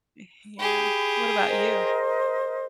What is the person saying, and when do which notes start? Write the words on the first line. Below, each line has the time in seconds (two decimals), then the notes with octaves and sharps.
y-yeah, what about you?
0.59 G4 G#4 B5
1.49 A#4 C5 D#5